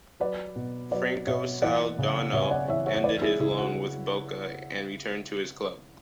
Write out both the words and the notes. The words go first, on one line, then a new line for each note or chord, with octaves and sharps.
Franco Soldano ended his loan with Boca and returned to his club.
F#3 B4 D5
B2
F#3 B4 D5
B2 C#5 E5
E3 D5 F#5
C#3
C#3 C#5 E5
G#5
D5 F#5
E3 C#5 E5
C#5 E5
E3 B4 D5
E4 G#4
C#3 E4 G#4
F#4